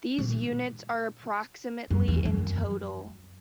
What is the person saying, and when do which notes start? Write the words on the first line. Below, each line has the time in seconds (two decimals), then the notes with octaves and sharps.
These units are approximately in total.
0.19 A#2
1.91 F#2
2.08 E2
2.25 F#2